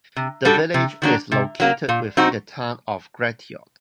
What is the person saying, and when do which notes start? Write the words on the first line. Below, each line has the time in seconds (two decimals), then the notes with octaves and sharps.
The village is located within the Town of Gratiot.
0.16 C3
0.45 G3 D4 F#4 A4
0.74 C3
1.02 D#3 F#3 A#3 D4
1.32 C3
1.60 F#3 A#3
1.89 A#2
2.17 F#3 C4 D#4 F#4